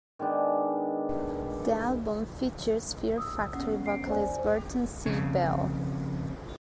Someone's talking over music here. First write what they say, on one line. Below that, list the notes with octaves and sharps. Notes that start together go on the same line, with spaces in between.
The album features Fear Factory vocalist Burton C. Bell.
D#3 G#3 B3 D4
D#6 E6
B3 C#4 F#5
C7 D7
C5 D5 G#5
C5
F2 G#2 C#3